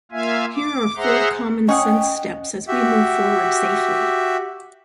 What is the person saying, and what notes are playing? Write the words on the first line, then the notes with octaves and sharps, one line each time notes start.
Here are four common sense steps as we move forward safely.
A#3 F4 E5 F5 G#5
D6
G#4 C5 E5 F#5 A#5 C6
F3 C#4 G#4 D#5 F#5 G5 C#6
F#4 G4 E5